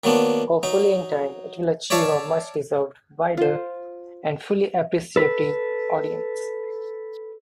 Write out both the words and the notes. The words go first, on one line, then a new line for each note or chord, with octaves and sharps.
Hopefully in time it will achieve a much-deserved wider and fully appreciative audience.
D#3 F#3 A#3 B3 D4
F#3 D#4
C#5 D5 E5 F5 A5
F4 C5
A4 B4